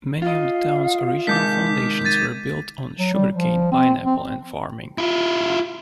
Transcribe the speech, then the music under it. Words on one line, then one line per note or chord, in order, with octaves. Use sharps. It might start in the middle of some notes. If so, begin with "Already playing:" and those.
Many of the town's original foundations were built on sugarcane, pineapple and farming.
F4 D#5 F5
C3 D#3 G#3 A5 D6 G6 B6
G#6 A6 D#7
F#3
G3
F3
C4
C4
E4 F4